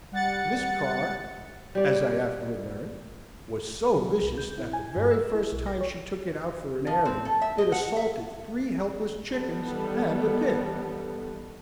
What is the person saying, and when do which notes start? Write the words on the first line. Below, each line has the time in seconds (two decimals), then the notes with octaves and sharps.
This car, as I afterward learned, was so vicious that the very first time she took it out for an airing it assaulted three helpless chickens and a pig.
0.12 G3 F#5 A6 C#7
1.75 G3 D5
3.96 F#3
4.22 C2
4.38 G6
4.58 E4
4.73 G#5
4.96 G2
5.11 E6
5.35 E4
5.52 B1
5.66 A#6
5.81 C#5
6.87 F3
7.05 C4
7.25 A4
7.42 E5
7.58 D#5
7.72 F#5
7.96 E5
9.30 D#3 E3 G3 B3 A4